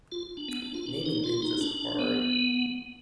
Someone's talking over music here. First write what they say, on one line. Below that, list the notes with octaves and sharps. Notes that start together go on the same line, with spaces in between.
Naming things is hard.
F4
D4
B3
D4
F4
D4
D#4
F4
D#4
D4
B3